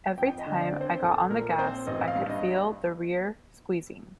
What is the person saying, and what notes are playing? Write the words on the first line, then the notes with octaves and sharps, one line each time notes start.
Every time I got on the gas I could feel the rear squeezing.
F2 G5
D#5
D3
D5
C4
C5
A#1 A4
A#2 A#4
C4 C5
A1 D#5
F5
G2
D#5